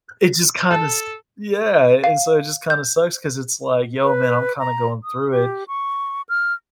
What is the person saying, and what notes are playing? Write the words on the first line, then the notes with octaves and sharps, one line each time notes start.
it just kinda s yeah, and so it just kinda sucks 'cause it's like, "Yo, man, I'm kinda going through it,"
A4 A5
F5
G6
B4
A#5
D#6
G4
C#6
F6